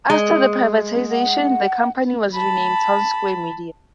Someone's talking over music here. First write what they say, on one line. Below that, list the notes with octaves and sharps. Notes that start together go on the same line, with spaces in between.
After the privatization, the company was renamed Townsquare Media.
G#3
F#5
A5 B5